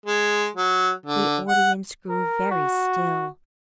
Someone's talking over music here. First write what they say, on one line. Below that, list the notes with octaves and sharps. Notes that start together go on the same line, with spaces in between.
The audience grew very still.
G#3
F#3
D3
F#5
A#4
F#4